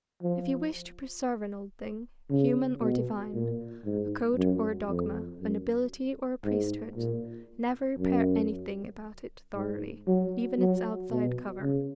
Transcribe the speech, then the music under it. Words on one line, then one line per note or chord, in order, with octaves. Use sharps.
If you wish to preserve an old thing, human or divine, a code or a dogma, a nobility or a priesthood, never repair anything about it thoroughly, even its outside cover.
F3
C#3
B2
A#2
G#2
F#2
F2
F#2
G#2
A#2
F#2
G#2
F#3
F#3
B2
C#3